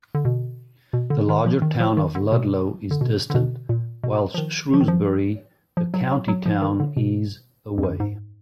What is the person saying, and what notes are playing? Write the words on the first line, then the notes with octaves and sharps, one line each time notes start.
The larger town of Ludlow is distant, whilst Shrewsbury, the county town, is away.
D3
B2
B2
D3
D#3
F3
D#3
F3
D#3
D3
B2
D3
B2
D3
B2
A#2
B2
F3
D#3
F3
D#3
F3
F3
F#3
F#3
F#3
F3
D#3
D3
B2
F2
F#2
G#2